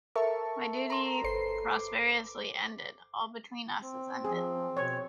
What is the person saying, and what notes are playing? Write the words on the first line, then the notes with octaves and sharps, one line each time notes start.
My duty prosperously ended, all between us is ended.
A4 A#4 E5 A5 C#6
A#5 C6
G1 A4 B4 C5 C7
D6
C4
F3 G#4
B2 C#5